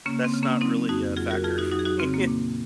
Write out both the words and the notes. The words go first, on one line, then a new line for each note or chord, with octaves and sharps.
that's not really a factor for me.
C#3 A#3 C#4
C4
C#3
A#3 C#4
F#3 C4 D#4
F2 D#4 F#4
F#3 F4 G#4
F#4 A#4
F2 F4 G#4
D#4 F#4
F#3 D#4 F#4
G#4
D#4 F#4
C#3 C4
A#3
A#2